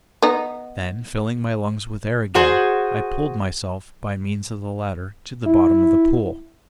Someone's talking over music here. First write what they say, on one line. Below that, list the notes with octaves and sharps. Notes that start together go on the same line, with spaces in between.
Then, filling my lungs with air again, I pulled myself, by means of the ladder, to the bottom of the pool.
B3 D#4
F#4 G#4 C5
E4